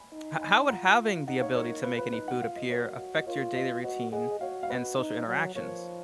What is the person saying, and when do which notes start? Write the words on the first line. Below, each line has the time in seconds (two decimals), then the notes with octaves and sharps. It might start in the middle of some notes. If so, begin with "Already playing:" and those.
h how would having the ability to make any food appear affect your daily routine and social interactions?
Already playing: G#5 B5
0.13 D#4
0.41 G#5 B5
0.70 F4 F#5 A#5
1.27 D#4 D#5 F#5
1.41 C#5 F5
1.55 A#4 C#5
1.83 F4 B4
1.98 B4
2.12 D#4 B4
2.28 F#5
2.41 F4 F5
2.56 D#5
2.69 F#4 A#4 C#5
2.98 F#4
3.15 D#5
3.27 F4 A#4 C#5
3.55 B4 D#5
3.83 F#4 B4 D#5
4.12 G#4 D#5 F#5
4.31 D#5
4.41 F#4 C#5 F5
4.63 F5
4.70 B4 D#5
4.98 D#4
5.27 F#3
5.55 F3 A#4 C#5